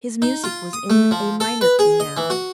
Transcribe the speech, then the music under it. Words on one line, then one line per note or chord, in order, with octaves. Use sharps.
His music was in a minor key now.
D#4
F4
D#6
A3
F3
A4
B4
G#4
D#5
E3
F#4